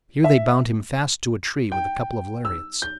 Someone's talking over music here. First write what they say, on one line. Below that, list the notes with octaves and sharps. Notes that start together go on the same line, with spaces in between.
Here they bound him fast to a tree with a couple of lariats.
E5
G5
E6
G6